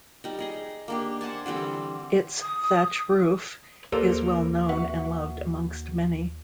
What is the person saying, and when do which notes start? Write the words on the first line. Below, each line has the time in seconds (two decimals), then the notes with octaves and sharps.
Its Thatch Roof is well known and loved amongst many.
0.24 G3 D#4
0.39 D#4 G#4 D#5
0.88 A#3 D4 G4
1.21 C5 F#5 G#5 A5
1.46 D3 E3 G3 C4
2.42 D#6
3.92 D#2 A#3 G4 A4 A#4 C5 D5
4.69 F#4 B4 E5 F#5